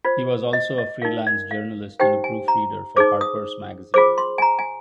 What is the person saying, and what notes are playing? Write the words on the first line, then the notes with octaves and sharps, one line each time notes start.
He was also a freelance journalist and a proofreader for "Harper's Magazine".
F4 C5 D5
D#5
D#5
D#4 A#4 F5
D5
F5
D#4 G4 C5 G5
G#5
A#5
D#4 G#4 C5 D6
D#6
F4 G#4 C5 D6
C6
G#5
A#5
G#5